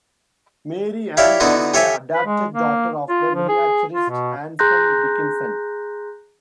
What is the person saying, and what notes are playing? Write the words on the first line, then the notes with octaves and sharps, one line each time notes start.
Mary Ann was the adopted daughter of the miniaturist Anson Dickinson.
E4 G4 C#5 D5 E5 F5
D3 B3 D#4 E4 F#4
G4 A4 C#5 E5 G#5
B4
G#3
A#3
F4
F3
G#4
F4
B2
G#4 A#5 C6 F#6 G6 A#6